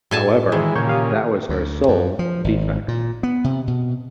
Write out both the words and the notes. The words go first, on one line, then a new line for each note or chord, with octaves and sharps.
However, that was her sole "defect".
A2 F#4 G#4 D5 G#5 A5
D#3 E3 G#3 G#4
A#2 C#3 C#6 G6 G#6
G4 F5 D#6
D2
F#2
F3
G#1
A#2
B3
C3
B2